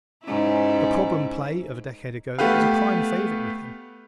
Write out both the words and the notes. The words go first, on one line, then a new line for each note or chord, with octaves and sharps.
The "problem play" of a decade ago was a prime favorite with him.
G#2 C#4 E4
A3 B3 G4 B4 F5